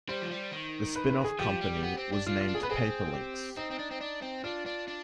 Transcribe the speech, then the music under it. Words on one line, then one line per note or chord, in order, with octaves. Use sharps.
The spin-off company was named Paperlinx.
G3 C5
F3
G3
D#3
B4
B4
G#4
F3 G4
G3
B3
C4
D4
D4 F4
F4
D4
G#4
B3 B4
C4 G#4
G4
C4 D#4
C4
D4
C4
D4
C4
D4 F4
D4
D4